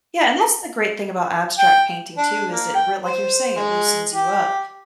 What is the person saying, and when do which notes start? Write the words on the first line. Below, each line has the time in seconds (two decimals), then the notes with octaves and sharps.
Yeah, and that's the great thing about abstract painting, too, is that real like you're saying, it loosens you up.
1.59 G5
2.18 D4
2.52 A#3
2.75 G5
3.04 C5
3.56 G#3
4.12 G4